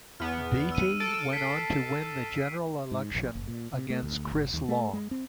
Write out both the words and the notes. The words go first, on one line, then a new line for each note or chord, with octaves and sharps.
Beatty went on to win the general election against Chris Long.
E2 B3 F6
E6 D#7
A4 D7
B6 C7
G#2
A#1
F#1
A#2
C3
A3
D2
G#1
D#2
A3
G#3
C4